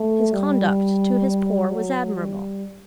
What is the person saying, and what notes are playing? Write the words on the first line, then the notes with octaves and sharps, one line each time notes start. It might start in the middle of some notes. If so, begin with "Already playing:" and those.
His conduct to his poor was admirable.
Already playing: A3
G3
F#3
G3